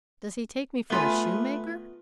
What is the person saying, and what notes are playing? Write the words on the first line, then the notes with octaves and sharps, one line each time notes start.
Does he take me for a shoemaker?'
A3 B3 F4 B4 G#5